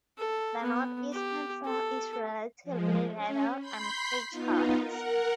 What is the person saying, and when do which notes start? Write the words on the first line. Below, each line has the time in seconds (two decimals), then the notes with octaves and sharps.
The northeastern floor is relatively level and featureless.
0.17 A4
0.62 B3
1.12 G4
1.65 A4
2.64 F3 G#3
3.14 C#4
3.59 B5 C6 G6 B6 C7
4.29 B3 D#4 F4
4.78 A#4 F#5